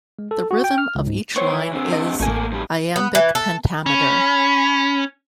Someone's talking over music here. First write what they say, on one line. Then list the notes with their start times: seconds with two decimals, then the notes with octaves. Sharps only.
The rhythm of each line is iambic pentameter.
0.19 G#3
0.31 A4
0.51 F#4
0.64 G5
0.78 F6
0.95 C#2
1.07 G#2
1.36 B3 C5 C#5 C#6
1.52 E3
1.73 D3 C4
1.93 D#5
2.20 A1 A3 A#3 G#5
2.52 F2 G3
2.96 B3
3.15 E3
3.35 A4
3.86 C#4 B5